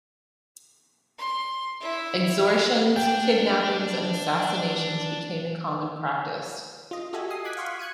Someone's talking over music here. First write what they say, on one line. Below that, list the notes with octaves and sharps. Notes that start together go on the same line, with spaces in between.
Extortions, kidnappings and assassinations became a common practice.
C6
E4 E5
D4 G5
F4 D#5
F#4 G4 A4 D#5 E5 G#5
D#6 C7
D6 F#6 G#6 B6
F5 F#5 C6 C#6
F#6 G#6 C#7 D#7